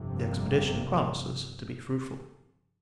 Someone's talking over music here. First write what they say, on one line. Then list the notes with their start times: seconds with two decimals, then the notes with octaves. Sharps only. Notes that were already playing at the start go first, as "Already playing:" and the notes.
The expedition promises to be fruitful.
Already playing: G1 F2 C3
0.13 G3 A#3